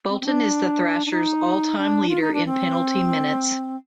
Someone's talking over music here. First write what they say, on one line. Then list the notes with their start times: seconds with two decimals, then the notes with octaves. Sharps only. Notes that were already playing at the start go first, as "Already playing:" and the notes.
Bolton is the Thrashers' all-time leader in penalty minutes.
0.09 C4
0.21 C4
0.26 D4
1.06 D4
1.10 D#4
1.78 D4
2.08 F4
2.21 D#4
2.33 D4
2.46 C4